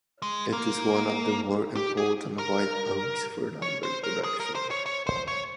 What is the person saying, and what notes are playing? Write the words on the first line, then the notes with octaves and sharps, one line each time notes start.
It is one of the more important white oaks for lumber production.
G#3
A#3
G4
G#4
A#4
C#5
C5
A#4
G#4
A#4
C5
C#5
C#5
C5
C#5